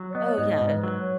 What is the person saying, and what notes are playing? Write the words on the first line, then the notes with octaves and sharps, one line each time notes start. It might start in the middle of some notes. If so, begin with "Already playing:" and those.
Oh, yeah.
Already playing: F#3
C#5
B3 D#5
C#5
G#2 D#5
G#2
B4
F#3
C#5